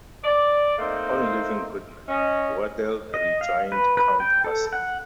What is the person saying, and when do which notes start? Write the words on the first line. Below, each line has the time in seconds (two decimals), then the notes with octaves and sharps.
On leaving Goodman, Wardell rejoined Count Basie.
0.24 D5
0.78 A3 A#3 C4 D#4 C5 D#5
2.08 C#4 D#5
3.14 D#5
3.41 F5
3.72 B4
3.97 B4
4.20 G5
4.44 A4
4.73 F#5